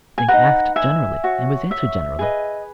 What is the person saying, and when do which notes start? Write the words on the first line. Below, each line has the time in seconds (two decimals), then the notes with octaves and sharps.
Link asked generally, and was answered generally.
0.18 G#5
0.28 D#4 G#4 B4 F#5 A#5
0.76 E5 G#5
1.24 F#4 C#5
1.71 E5
2.19 G#4 B4 D#5